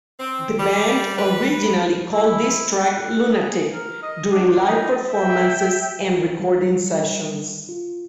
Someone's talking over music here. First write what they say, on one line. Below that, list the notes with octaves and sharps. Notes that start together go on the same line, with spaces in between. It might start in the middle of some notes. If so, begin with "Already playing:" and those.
The band originally called this track "Lunatic" during live performances and recording sessions.
C4
G3
B4
E4
F#5
G#4
A#4
D#5
D4
D#4
E5 G5
G3
F4